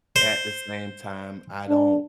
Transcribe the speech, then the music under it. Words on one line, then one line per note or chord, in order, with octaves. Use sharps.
At the same time, I don't
C5
D4